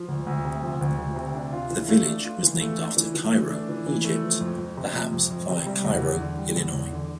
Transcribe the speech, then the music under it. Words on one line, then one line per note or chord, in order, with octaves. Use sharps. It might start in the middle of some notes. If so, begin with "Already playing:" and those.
The village was named after Cairo, Egypt, perhaps via Cairo, Illinois.
Already playing: F3
D2
D2
C3
F3
D2
D2
C3
D4
F4
E3
A3
D4
F4
E3
A3
D4
E3
E3
A3
D4
E3
E3
A3
F3
F2
F2
C3
F3
F2
F2
C3
G3
E2
E2
D3
G3
E2
E2
D3